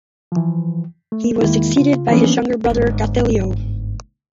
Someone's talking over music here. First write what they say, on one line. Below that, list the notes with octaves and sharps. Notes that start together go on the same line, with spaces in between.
He was succeeded by his younger brother Gothelo.
E3 F3
A3
E2 D#3 G#3 A#3 E4
C#3 F4
E3 F3 A#3 B3 C#4 D4
G1 G#2